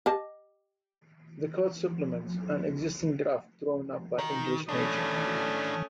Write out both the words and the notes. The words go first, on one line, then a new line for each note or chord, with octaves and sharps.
The code supplements an existing draft drawn up by English Nature.
G4 D#5 A5
D#3
A2 A3 C#4 D4 D#6